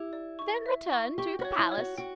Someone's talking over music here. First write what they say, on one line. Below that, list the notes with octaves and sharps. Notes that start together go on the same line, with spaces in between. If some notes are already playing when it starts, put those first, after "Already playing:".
"Then return to the Palace."
Already playing: E4 G4
D5
C#6
E5
C#6
G4 C#6
F#4
C#5
E4
C#5
F#4
F#4 G5